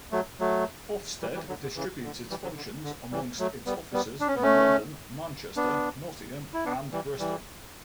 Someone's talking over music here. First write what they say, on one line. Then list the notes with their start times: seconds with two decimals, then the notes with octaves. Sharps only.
Ofsted distributes its functions amongst its offices in London, Manchester, Nottingham, and Bristol.
0.12 F#3 A3
0.40 F#3 A3
1.21 E3 G3
1.34 E3 G3
1.48 D3 F#3
1.62 D3
1.76 C#3 E3
2.03 D3
2.30 E3 G3
2.43 D3 F#3
2.56 D3
2.84 D3
3.11 E3 G3
3.39 F#3 A3
3.66 G3 B3
3.93 G3 B3
4.20 D4
4.27 C#4
4.36 B3
4.42 A3 C#4
5.56 B3 D4
6.54 E4
6.65 B3 D4
6.92 E3 G3
7.19 E3 G3